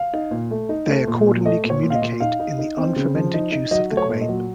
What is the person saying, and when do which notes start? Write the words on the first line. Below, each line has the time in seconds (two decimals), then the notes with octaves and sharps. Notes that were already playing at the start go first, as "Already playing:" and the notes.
They accordingly communicate in the unfermented juice of the grape.
Already playing: F5
0.13 D#4
0.31 A#2
0.51 A3
0.69 D#4
0.88 A3
1.07 A#2
1.26 A#2
1.46 A3 D#5
1.64 A#2
1.70 C#5
1.83 A#2
1.90 F5
1.95 D#5
2.02 A#2
2.20 D#4 F5
2.40 D#4
2.58 D#4
2.77 C4
2.96 C#3
3.15 F3
3.34 D#4
3.52 D#4
3.71 F#3 D#5
3.91 A3
3.97 C#5
4.10 A#2
4.21 D#5
4.28 F#3